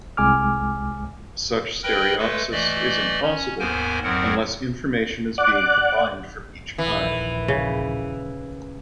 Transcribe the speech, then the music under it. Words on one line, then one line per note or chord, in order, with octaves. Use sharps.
Such stereopsis is impossible unless information is being combined from each eye.
C2 G#3 G#5 D6 F6
A#4 B4 D#5 G5 B5
G#3 A3 A4 B4
E3 A3 D5 D#5
C#4
D#2 G#2 B3 A#4 C5 G#5
F2 G#2 F#3 C4 A#4 F#5
D5 F#5 D6 F#6
A#1 D#2 E3
C#3